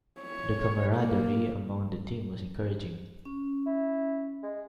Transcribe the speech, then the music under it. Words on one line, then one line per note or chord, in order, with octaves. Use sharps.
The camaraderie among the team was encouraging.
C#5
A#3
C#4
E4
G#3